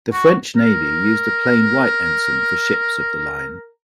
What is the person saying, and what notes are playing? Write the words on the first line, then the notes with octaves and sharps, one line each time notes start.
The French Navy used a plain white ensign for ships of the line.
F#4
A#4